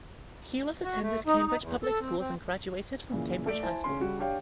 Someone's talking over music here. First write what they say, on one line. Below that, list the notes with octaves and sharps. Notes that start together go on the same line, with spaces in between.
Hewlett attended Cambridge public schools and graduated from Cambridge High School.
F#4
A3
D#4
D#4
E2
A4
C4
C4
A#2 C#3 E3
A3 D5 D7
E4 C5 G#5 A5
C#3 C#4 C6
C#3 G3 F#4
D4 G4 C#5 F5 G5